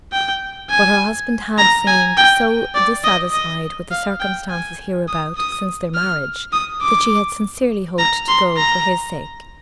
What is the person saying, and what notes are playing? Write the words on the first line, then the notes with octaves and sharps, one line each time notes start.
But her husband had seemed so dissatisfied with the circumstances hereabout since their marriage that she had sincerely hoped to go for his sake.
G5
G#5
A#5
G#5
G5
D5
D#5
D#5
F5
G5
G#5
D#6
D#6
F6
D#6
D6
A#5
C6
A#5